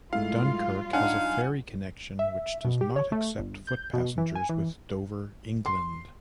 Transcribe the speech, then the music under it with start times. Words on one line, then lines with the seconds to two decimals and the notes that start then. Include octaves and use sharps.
Dunkirk has a ferry connection which does not accept foot passengers with Dover, England.
0.13 G#2 F#3 G3 A3 E4 F4 F5
0.93 D4 D#4 F5 F#5 G#5
2.19 E5
2.65 B2
2.81 G4
2.96 C#5
3.12 A3
3.38 G1
3.67 G6
3.93 B2
4.18 E3
4.35 G#5
4.49 E3
5.66 C6